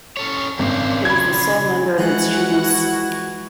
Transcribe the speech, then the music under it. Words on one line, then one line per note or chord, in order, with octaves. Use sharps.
It is the sole member of its genus.
C#4 A4 C#5
G#1 C#3 D4 C5
B5 G#6
E3 F3 G#3 E4 F#4 F#5